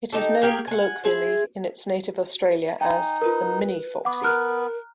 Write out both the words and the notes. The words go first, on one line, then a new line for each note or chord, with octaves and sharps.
It is known colloquially in its native Australia as the “Mini Foxie”.
D#4 G4 A4
A#3 G4 G#4 A#4
F#5 G#5
E4 G#4 C5
D#4 G5 G#5
F4 A#4 B4
B3 F#5 D6
A#4 A#5 F6 F#6